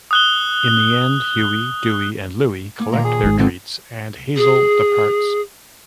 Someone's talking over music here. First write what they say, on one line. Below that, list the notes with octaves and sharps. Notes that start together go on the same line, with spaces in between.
In the end, Huey, Duey, and Louie collect their treats and Hazel departs.
D#6 F#6 G7
A#3
D#2 A#2 A#3 A#5
G#4
G#1 G#2
F2 D3 F3 C4
G#4